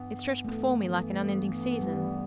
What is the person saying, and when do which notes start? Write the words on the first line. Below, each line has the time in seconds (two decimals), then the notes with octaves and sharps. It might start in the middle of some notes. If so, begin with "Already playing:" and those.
It stretched before me like an unending season.
Already playing: G2 E3 B3
0.45 A3
1.13 A3
1.81 G3